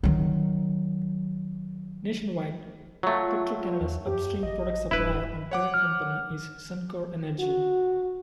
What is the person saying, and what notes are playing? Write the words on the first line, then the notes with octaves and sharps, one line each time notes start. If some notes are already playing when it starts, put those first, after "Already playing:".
Nationwide, Petro-Canada's upstream product supplier and parent company is Suncor Energy.
D#3 F#3
F#3 A3 F4
E2
F#2 G4
A1 D#5
D#1 G2 E4 B4
C#5 F#5 D6
F6
F#4